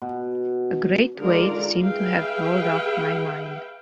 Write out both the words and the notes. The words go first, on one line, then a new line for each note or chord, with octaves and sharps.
A great weight seemed to have rolled off my mind.
B2
D3 D#3 G#3 F4 A#4 D5
G#4 B4 E5 F5 G5